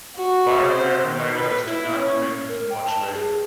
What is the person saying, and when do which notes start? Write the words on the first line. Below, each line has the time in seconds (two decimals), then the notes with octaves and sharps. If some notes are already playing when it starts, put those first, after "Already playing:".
Boromir and Legolas did not come in until much later.
0.16 F#4
0.66 C5
1.06 D#3
1.34 B4
1.67 E4
1.99 C#4
2.48 A#4
2.69 G5
2.86 A5
3.14 G#4